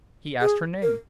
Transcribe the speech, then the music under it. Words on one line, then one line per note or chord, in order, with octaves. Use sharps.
He asked her name.
G#4
A#4